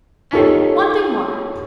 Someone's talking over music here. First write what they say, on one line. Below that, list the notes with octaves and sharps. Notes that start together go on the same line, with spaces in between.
And--one thing more!
D#4 F4 G4 A4 C#5